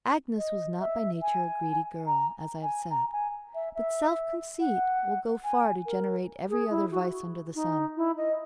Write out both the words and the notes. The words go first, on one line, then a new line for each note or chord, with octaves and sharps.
Agnes was not by nature a greedy girl, as I have said; but self-conceit will go far to generate every other vice under the sun.
D#5
E5
G#5
A#5
G#5
A#5
G#5
E5
E5
F#5
G#5
A#4
G#4
E4
F#4
D#4
E4
D#5